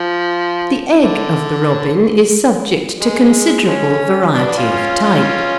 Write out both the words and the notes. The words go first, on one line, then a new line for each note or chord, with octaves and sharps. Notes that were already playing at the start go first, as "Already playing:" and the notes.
The egg of the robin is subject to considerable variety of type.
Already playing: F3
D3
G#3
F3 G#3 C#4
B3 D4
B3 D4
C#4 F4
C#4 F4